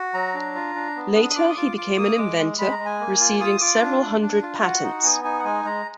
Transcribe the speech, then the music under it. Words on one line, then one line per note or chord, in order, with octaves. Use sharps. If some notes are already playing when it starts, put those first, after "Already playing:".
Later, he became an inventor, receiving several hundred patents.
Already playing: F#4
F#3 A#5
D4
F4
D4
B3
D4 D#6
D#6
F4 D6
D#6
F4 D6
F4 D6
A#3 D#6
G#3 D6
G#3
G#3 B5
A#5
G#3
G#5
A#3
F4
F4 D#6
F4 D6
D4
D4
D4
F4
F#4 F#5
D#4
B3 G#5
D#4 G#5
F#5
G#3 G#5
G#3 A#5